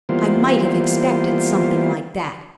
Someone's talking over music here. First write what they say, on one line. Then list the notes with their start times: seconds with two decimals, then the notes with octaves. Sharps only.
I might have expected something like that.
0.09 E3 G3 A#3 B3 F4 C5